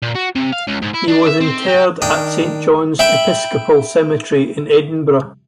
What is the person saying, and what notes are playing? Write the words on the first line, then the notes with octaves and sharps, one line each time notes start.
He was interred at Saint John's Episcopal Cemetery in Edinburgh.
A#2
F#4
C3
F5
C#2
G#2
E4
D4
E5
C4
G4
D#3 D4 A#4 D#5 G5
E5 G5 B5